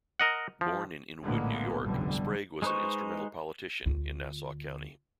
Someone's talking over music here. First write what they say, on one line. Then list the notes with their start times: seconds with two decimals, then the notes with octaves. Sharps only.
Born in Inwood, New York, Sprague was an instrumental politician in Nassau County.
0.20 A#4 D#5 F#5
0.61 F3
1.24 A#1 A2 D3 G#3 A#3 B3
1.80 F1 B1 G2 B2 D3 G3
2.62 G#3 D#4 B4 C5 C#6
3.86 D2 F4